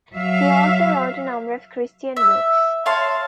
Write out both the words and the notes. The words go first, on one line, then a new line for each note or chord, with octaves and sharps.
He also wrote a number of Christian books.
F#3 E5 F5
E5
C#5 F5 A5 C6